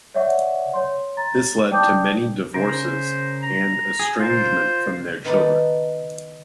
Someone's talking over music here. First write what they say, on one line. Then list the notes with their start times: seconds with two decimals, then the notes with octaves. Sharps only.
This led to many divorces and estrangement from their children.
0.14 C#5 D5 E5 F#5 C#6
0.74 C#5 C6
1.17 A#5 A6
1.71 D5 G5 A5 D6 D#6 G6
2.54 C#3 A#4 C5
3.42 A#5
4.00 G#4
4.20 F4 A#4 C5
5.24 D#3 B3 D#4 A4 B4 D5